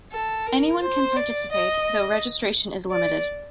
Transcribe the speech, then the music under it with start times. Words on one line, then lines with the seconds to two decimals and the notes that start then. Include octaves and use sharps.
Anyone can participate, though registration is limited.
0.12 A4
0.46 A#4
0.82 C5
1.16 D5
1.51 D#5
2.91 D5